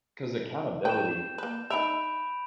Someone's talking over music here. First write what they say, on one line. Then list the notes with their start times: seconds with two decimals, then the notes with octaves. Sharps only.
'cause accountability
0.85 B4 G5 G6 E7
1.38 A#3 B4
1.70 D#4 E5 B5 D7 F7